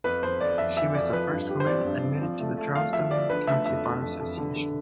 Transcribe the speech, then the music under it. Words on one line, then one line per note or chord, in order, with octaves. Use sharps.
She was the first woman admitted to the Charleston County Bar Association.
F2 B4
F2 C5
F2 D5
F2 E5
E3 E5
F2 D5
F3 B4
G2
G4
C5
C4 D5
G2
C4
F3
A3
A3
A3 F5
F3 E5
F3 D5
D3 B4
A3 E5
F2 E5
A3
F2
F2
D3
D3